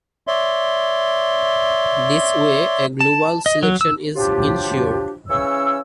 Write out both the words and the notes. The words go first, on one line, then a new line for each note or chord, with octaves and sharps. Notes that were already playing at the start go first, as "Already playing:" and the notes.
This way a global selection is insured.
C#5 D5 E5 C6
A5
D#5
F#3
E6
F3 F#3 D4 F4 G4
C#3 E3 C#4 C#5 E6